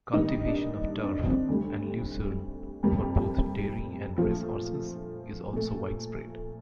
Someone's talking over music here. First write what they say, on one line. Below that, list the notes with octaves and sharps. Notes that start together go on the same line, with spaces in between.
Cultivation of turf and lucerne for both dairy and racehorses is also widespread.
G2 D#3 G3 A#3 D#4
D4
D4
C4
D2 D3 G3
F2 C3 G3 A#3
A#2 F3 A3 F4
A#2 A3